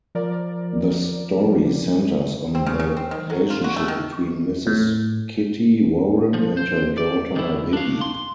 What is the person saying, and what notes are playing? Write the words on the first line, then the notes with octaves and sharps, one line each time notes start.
The story centres on the relationship between Mrs Kitty Warren and her daughter, Vivie.
F3 A#4 D5
C4
C#3
C#3
C4
D#3
F#3
F4
F#4
A3
D#3
A2
F3
C5
D5
D#3 E4
D4 F5
C6